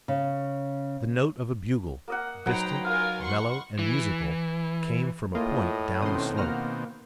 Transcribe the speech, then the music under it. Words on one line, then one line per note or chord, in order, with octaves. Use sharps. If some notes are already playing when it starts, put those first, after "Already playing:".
The note of a bugle, distant, mellow, and musical, came from a point down the slope.
C#3
A#3 D#5 F#5
F#3 D#4 B4 C5 F#5 G5 A#5
F4 A#4 F5 G#5
F#5 C6 C#6
E3
A2 A#3 F4 D#5
B2 D#3 C4 C#4 C6 D#6
A#3 F#5 F6 A#6